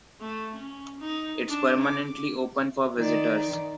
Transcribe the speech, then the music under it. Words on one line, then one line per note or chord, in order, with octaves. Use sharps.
It’s permanently open for visitors.
A3
C#4
D#4
D4
D6
D#3 D5